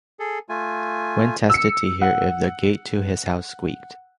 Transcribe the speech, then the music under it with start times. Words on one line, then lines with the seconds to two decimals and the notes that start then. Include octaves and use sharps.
Quinn tested to hear if the gate to his house squeaked.
0.20 G#4 A4
0.49 A3 F4 G#5
1.50 E6 C#7
2.02 F#5